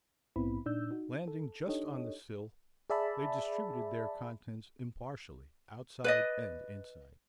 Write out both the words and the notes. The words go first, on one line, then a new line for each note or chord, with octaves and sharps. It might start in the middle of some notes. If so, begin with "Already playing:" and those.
Landing just on the sill, they distributed their contents impartially outside and inside.
A#1 G#2 B3 C4 E4 B5
A#2 D4 D#4 D5 E6 G6
D#4 F#4
A4
D4 D#4 G4 A4 C#5 D#5
G#4 D5 E5 A5 B5
B4 D5 D#5